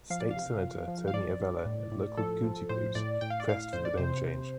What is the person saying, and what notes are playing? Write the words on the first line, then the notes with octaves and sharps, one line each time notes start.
State Senator Tony Avella and local community groups pressed for the name change.
F3 F5
D5
F5
C3
F3
F3
F5
F3 D5
G2
A2
A2
F3 A4
F3
A2 C5
A2 D5
A2 G5
F5
D5
A2 F5
F2 C5
D5
C3 C5
C3